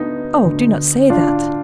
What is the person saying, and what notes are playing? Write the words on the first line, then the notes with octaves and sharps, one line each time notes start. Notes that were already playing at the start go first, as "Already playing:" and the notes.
"Oh! do not say that."
Already playing: D2 D3 B3 D#4
D2 D3
D2 D3 D4 F4